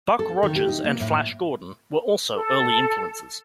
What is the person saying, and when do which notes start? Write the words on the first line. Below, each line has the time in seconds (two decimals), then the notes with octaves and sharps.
Buck Rogers and Flash Gordon were also early influences.
0.19 A4
0.43 D#3
0.56 G4
0.68 D#4
0.84 A#3
1.00 A2
2.35 A4